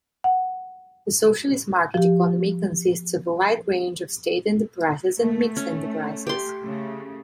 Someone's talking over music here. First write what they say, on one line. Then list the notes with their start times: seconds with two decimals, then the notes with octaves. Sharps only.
The socialist market economy consists of a wide range of state enterprises and mixed-enterprises.
0.24 F#5
1.94 F3 G4
5.20 A3
5.57 C#4
6.27 G4 C6
6.64 C#3 A3